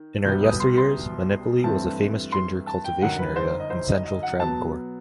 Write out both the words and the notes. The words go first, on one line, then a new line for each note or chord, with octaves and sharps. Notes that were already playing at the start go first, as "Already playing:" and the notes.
In her yesteryears, Monippally was a famous ginger cultivation area in Central Travancore.
Already playing: D#3
C2 B2 G3 B3 G6
D#6
C6
C6
G2 E3 A3 C4 A5
C6
A5
G5
G1 F#2 D#3 F#5
B4
C5
D#5
C5
D#5
D#5
F#5
B2 F#3 B3 A5